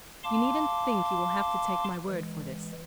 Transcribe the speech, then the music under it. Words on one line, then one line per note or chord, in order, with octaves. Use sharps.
You needn't think you will have to take my word for this.
F5 A5 C6 D6
E3 G#3